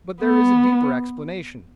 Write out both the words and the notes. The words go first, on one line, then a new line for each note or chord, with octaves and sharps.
But there is a deeper explanation.
B3